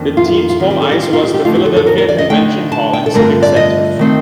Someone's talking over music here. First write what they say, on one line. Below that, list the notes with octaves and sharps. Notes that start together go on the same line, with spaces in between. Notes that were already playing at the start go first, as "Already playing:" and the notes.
The team's home ice was the Philadelphia Convention Hall and Civic Center.
Already playing: F2 D#3 A#3 D4
F4
F4
F4
D#3 G3 C4 F4
G4
A4
G4
F4
F4
G4
G4
F2 D3 F3 A3 D#4 F4
G4
A4
A4
A#4
A#4
D5
D#5
D3 A3 D#4 G5
A5
G5
A4
G2 D3 A3 C4 F4 A#4
D5
D#5
D#3 A3 C4 D#4